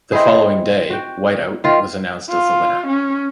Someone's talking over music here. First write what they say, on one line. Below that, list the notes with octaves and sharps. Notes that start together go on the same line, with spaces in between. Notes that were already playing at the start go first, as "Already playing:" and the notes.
The following day, White Out was announced as the winner.
C4 D#4 E4 G#4
F#4 G5
D#3 F4
F4
C#4